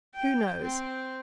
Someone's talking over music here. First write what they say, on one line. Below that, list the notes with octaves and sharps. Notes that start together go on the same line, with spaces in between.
Who knows?
G5
C4